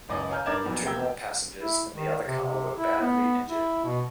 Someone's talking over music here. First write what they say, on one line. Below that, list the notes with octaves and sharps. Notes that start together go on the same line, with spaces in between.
Two more passengers in the other car were badly injured.
F#1 C#2 D5 D#5 G#5
C#5 F5 G#5 A#5 F6 G6
G2 A#4 D5 F6 G#6 E7
F2 A#2 F#3 B3
E1 C3 A#3 G5 E6 G#6
E4
D#3
C3
C3
E4
B3
E4
B2